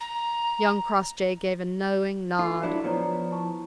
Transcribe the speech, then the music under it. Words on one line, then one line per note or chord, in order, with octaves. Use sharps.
Young Crossjay gave a knowing nod.
A#5
F4 A4 C#6 C7
F#3 D4 E4 E7
F3 B3 C#5 D5 A#5
E4 A5 C#6